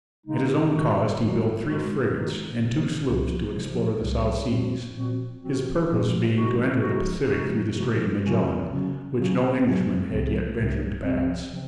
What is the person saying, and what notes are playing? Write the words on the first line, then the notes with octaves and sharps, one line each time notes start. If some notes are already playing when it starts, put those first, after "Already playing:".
At his own cost he built three frigates and two sloops to explore the South Seas, his purpose being to enter the Pacific through the Strait of Magellan, which no Englishman had yet ventured to pass.
C#3 G#3 D#4
G#2 D#3 G#3 D#4 F#4
G#2 D#3 G#3 D#4 F#4
G#2 D#3 G#3 D#4 F#4
G#2 D#3 G#3 D#4 F#4
C2 C3 F3
C2 C3 F3
C2 C3 F3
C2 C3 F3
A#2 F3 C4 F#4
A#2 F3 C4 F#4
A#2 F3 C4 F#4
A#2 F3 C4 F#4
C3 F3 G#3 D#4 F#4
C3 F3 G#3 D#4 F#4
C3 F3 G#3 D#4 F#4
C3 F3 G#3 D#4 F#4
C#3 F#3 C#4 F#4
C#3 F#3 C#4 F#4
C#3 F#3 C#4 F#4
C#3 F#3 C#4 F#4
C2 C3 F3 C4
C2 C3 F3 C4
C2 C3 F3 C4
C3 F3 C4